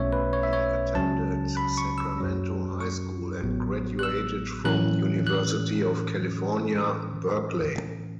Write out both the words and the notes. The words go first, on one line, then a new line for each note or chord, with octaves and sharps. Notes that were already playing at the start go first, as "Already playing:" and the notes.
He attended Sacramento High School and graduated from University of California, Berkeley.
Already playing: B1 B2 A3 C#4 C#5 E5
B4
C#5
E5
C#5
C#2 C#3 F#3 C#4 A5
B5
C#6
E6
F#2 F#3 C#4
C#6
A1 A2 F#3 B3
F#6
E6
A2 E3 A3 C#4 F#6
F#6